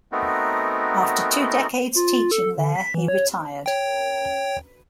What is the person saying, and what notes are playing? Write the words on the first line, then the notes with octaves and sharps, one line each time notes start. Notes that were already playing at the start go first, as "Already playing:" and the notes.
After two decades teaching there, he retired.
A3 B3 C4 D#4 F#4 A#4
F4
A4
D3
B6
E3
C#5
C#5 G5